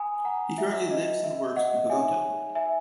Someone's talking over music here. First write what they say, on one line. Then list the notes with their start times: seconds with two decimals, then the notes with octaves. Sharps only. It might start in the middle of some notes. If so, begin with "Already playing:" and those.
He currently lives and works in Bogota.
Already playing: G#5 B5 D#6
0.25 F#5 A#5
0.58 E5
0.91 D#5
1.24 E5
1.56 D#5 F#5
1.90 D#4 G#4 C#5 E5 G#5
2.55 E5 G#5